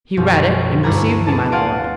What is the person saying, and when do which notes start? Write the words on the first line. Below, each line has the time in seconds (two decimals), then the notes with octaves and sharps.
"He read it, and received me, my lord."
0.17 B1 F#2 F3
0.83 D2 G2 D4 E4 A#5 G#6
1.26 B3 G#4 A5
1.52 F5 F#5 G#5 C6 A6 D7